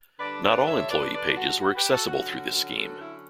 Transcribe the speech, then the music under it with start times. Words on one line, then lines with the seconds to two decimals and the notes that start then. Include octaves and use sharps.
Not all employee pages were accessible through this scheme.
0.19 D3 G3 D4 B4 D5
0.43 B4 D5
0.66 C#5 E5
0.90 B4 D5
1.13 B4 D5
1.37 F#4
1.60 F#4
1.75 G4 B4
1.91 F#4 A4
2.07 D3 F#3 C#4 F#4
2.30 F#4
2.54 F#4
2.77 F#4 A4
3.00 E4